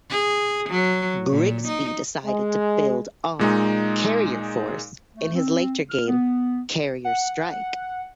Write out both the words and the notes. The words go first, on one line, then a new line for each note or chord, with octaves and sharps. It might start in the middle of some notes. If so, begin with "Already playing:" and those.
Grigsby decided to build on "Carrier Force" in his later game "Carrier Strike".
G#4
F#3
A#2
D#4
G#3
A#2 G#3 D#4
A3
C4
F6
B3
F#5